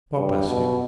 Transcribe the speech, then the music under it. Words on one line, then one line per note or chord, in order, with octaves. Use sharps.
God bless you!
G2
B2